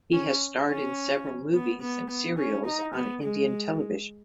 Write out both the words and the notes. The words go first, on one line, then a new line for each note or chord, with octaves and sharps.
He has starred in several movies and serials on Indian television.
C#4
C#4
B3
B3
B3
C#4
D#4
B3
G#3